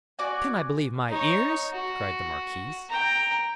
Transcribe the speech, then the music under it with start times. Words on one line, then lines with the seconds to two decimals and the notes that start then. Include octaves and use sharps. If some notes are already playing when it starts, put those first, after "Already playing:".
"Can I believe my ears?" cried the marquise.
0.19 F#4 D5 G#5
1.08 D#4 C#5
1.72 F#4
2.89 G5 A#5